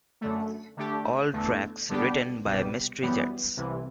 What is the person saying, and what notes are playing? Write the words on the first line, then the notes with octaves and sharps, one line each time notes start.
All tracks written by Mystery Jets.
F#2 D3 A3
D3 A3 D4 G4
E2 D3 A3
D3 G3 B3 D4 G4
C2 B2 G3
F#2 E3 G3 B3
C2 C3 E3